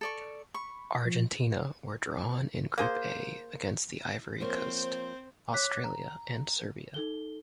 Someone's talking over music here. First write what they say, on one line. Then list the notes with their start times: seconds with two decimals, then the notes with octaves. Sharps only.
Argentina were drawn in Group A against the Ivory Coast, Australia and Serbia.
0.01 A4 D5 C#6
0.54 B5 C#6
1.06 F3
2.78 A#3 G#4 C5
4.40 F3 A#3 C4 C5 C#5
5.53 C#5 D6 F#6 B6
5.84 A#5
6.94 D#4 A4 G7